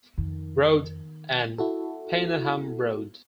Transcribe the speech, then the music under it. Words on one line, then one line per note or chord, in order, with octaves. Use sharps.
Road and Payneham Road.
F2 D#3
E4 F#4 A4